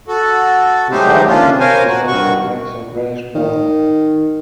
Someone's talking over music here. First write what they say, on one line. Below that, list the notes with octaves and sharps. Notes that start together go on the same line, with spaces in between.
The sides of the neck as well as the flanks are greyish brown.
F#4 A4
F#3 G#3 A3 D#4 G4 C5
A#3 C#4 D4 F4
A#4 C5 C#5 F5 G#5
F#4
G2 D#3 F#4 C#6
D#3